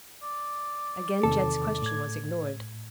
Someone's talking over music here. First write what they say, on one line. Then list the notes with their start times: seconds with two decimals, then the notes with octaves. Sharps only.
Again Jed's question was ignored.
0.23 D5
1.23 E2 C3 D#3 A4
1.82 A2 G#6